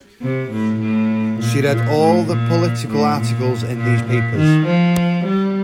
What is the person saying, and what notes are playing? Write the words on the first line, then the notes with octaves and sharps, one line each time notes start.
She read all the political articles in these papers.
C3
A2
A2
A#2
A#2
A2
A#2
A2
A#2
A#2
A#2
D#3
F3
G3